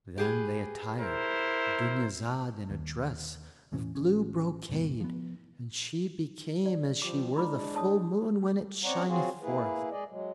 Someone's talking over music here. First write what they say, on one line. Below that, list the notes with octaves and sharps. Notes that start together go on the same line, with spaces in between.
Then they attired Dunyazad in a dress of blue brocade, and she became as she were the full moon when it shineth forth.
G4 G#4 B4
E4 A#4 C5
D#2
E2 A2 E3 C#4
A1 C#4
E1 C2 G#2 B3
F3 B3
D5
F3 G3 D6
G#3 D4 E4 B5 D6
C#5 A5 D#6
F#2 C4 C#5 D5 F#5 A#5
F#3 C4 F4 F#4 G#4
A#3 E4 G#4 B4
G#3 G#4 D5 D#5
F#3 G#3